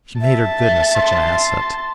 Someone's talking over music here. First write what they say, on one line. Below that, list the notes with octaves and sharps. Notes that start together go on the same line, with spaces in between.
She made her goodness such an asset.
E5 A5
C6